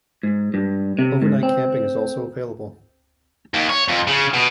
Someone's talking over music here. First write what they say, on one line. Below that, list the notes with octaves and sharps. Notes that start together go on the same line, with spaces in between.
Overnight camping is also available.
G#2
G2
C3
G#2
C4
D#2
C#5
F2
C#3
B2